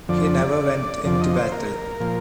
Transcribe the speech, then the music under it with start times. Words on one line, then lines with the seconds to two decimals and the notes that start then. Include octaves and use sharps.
He never went into battle.
0.09 F2 D3 F3 D5
1.04 F2 D3 F3 D5
1.21 D#5
1.36 C5
1.52 A#4
2.00 A#2 F3